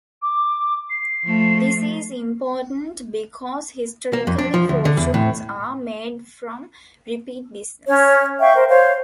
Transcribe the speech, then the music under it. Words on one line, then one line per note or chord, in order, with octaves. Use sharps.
This is important because historically fortunes are made from repeat business.
D6
C7
F3 A3
A#3
F2
D4
F3
D2
D3
E2
A2
C#4 C#5
E5 F5 G5 C#6
A#4 C5
C5 C#5 F5